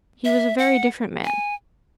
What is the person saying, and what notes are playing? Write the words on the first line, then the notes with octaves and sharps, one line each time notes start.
He was a very different man.
E5
F#5
G#5